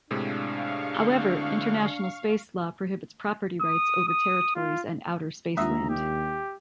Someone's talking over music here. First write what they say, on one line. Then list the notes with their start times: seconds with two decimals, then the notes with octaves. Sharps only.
However, international space law prohibits property rights over territories and outer space land.
0.11 A2 C3 G#3 D4 F5 C#6
0.95 D2 D3
3.61 D#6
4.08 D#6
4.55 F4
5.57 D#2 G#3 D4 F4 E5 A#5 D#6
5.89 G4